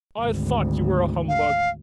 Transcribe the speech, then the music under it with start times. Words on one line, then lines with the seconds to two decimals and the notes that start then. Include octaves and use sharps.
I thought you were a humbug!
0.20 G#1 D2
1.28 F5